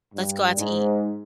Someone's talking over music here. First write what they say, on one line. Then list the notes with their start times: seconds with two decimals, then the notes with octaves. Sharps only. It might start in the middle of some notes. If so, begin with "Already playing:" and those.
"Let's go out to eat."
0.13 G2
0.57 G#2